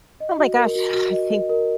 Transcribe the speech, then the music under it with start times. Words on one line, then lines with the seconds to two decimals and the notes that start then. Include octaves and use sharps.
Oh my gosh, I think
0.20 D#5
0.38 F#4
0.57 A#4
0.75 F#4
0.94 F#4
1.12 D#5
1.31 D#5
1.49 A#4